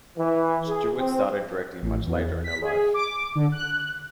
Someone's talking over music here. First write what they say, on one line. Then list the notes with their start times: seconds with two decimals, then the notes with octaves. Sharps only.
Stewart started directing much later in her life.
0.18 E3
0.68 G#4
0.99 C4
1.82 A1
2.06 E2
2.44 B6
2.61 G#4
2.94 D6
3.35 D3
3.52 F#6